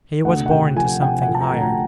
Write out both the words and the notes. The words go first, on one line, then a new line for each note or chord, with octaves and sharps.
He was born to something higher.
D2 F#5
F#5
C3 G5
F3 G#5
C3 G5
F#5
F3
A5
A#5
D2
A#5